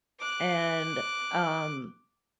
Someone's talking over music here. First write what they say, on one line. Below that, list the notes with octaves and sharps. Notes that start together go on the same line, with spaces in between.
and, um
D6 F#6